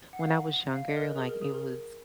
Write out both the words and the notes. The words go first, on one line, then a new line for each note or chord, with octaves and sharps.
when I was younger, like, it was,
F#5
F5
F#5
F5
D#5
A#4
B4
G#4
A#4
G#4
A#4